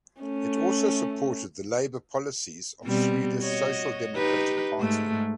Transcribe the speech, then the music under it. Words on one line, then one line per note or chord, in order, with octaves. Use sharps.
It also supported the labour policies of Swedish Social Democratic Party.
A3 C#4
B2 G3 C4
F#4 C#5 D#5
D#4 G4 B4
G#2 G#3 A3